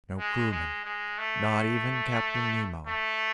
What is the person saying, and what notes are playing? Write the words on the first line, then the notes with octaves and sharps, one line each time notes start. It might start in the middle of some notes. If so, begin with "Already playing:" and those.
No crewmen. Not even Captain Nemo.
G#3
G#3
G#3
A3
A3